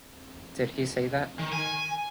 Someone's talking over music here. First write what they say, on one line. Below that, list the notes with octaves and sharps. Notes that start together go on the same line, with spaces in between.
Did he say that?
D#3
G#5